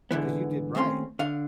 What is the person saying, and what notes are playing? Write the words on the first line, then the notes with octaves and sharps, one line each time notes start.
'Cause you did right.
G#2 D3 E3 B3
D#2 A3 C4 C#4 C6
D3 F5